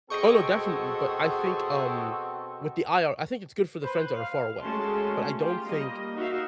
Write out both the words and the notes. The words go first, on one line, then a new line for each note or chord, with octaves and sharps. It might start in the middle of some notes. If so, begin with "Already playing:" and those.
Oh, no, definitely, but I think, um, with the IR I think it's good for the friends that are far away. But I don't think,
B2 C4 F#4 G#4 A4 D#5 G5 C#6
B4 C5
F5
G#3 A3 C#4 F#4 A5 C6
F4 G4
G3 A#3 D#5
D#4 F#4 A#4 E5 F5